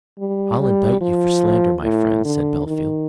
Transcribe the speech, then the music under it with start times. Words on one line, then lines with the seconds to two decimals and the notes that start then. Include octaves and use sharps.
"I'll indict you for slander, my friend," said Bellfield.
0.19 G3
0.60 G3
1.01 F3
1.83 A2
2.25 D3
2.66 D#3